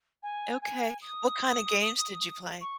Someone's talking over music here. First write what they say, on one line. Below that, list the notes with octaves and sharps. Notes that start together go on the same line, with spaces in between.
Okay. What kinda games did you play?
G#5
G#5
D#6
C#6